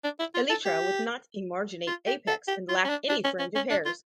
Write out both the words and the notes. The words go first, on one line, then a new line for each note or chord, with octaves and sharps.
Elytra with not emarginate apex and lack any fringe of hairs.
D4
E4
F4
A4
G4
F4
G4
A4
G4
F4
C#4
D4
D4
C#4
C#4
C#4
D4
F4